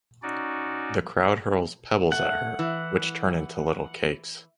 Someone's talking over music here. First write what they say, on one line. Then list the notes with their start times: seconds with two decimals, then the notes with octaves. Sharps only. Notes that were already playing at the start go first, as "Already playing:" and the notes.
The crowd hurls pebbles at her, which turn into little cakes.
0.23 C#4 D#4 F#4 D5
2.12 A3 F#5
2.59 E3